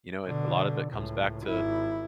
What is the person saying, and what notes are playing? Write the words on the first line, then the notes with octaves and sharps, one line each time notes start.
You know, a lot of it comes back to
B2 D3
C#2 A2
G#1 E4